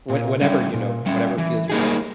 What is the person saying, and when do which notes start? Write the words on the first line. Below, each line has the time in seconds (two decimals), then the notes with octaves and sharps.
what whatever, you know whatever field you're in.
0.10 A#2
0.41 G3 C#4
0.74 A#2
1.06 G3 C#4
1.38 E3
1.70 G3 A#3 D#4 G#4